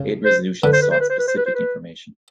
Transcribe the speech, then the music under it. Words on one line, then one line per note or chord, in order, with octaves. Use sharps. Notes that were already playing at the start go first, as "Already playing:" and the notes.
Eight resolutions sought specific information.
Already playing: C#3
C5
D3 B4
C5
B4
C5
B4
C5
B4
C5
B4
C5
B4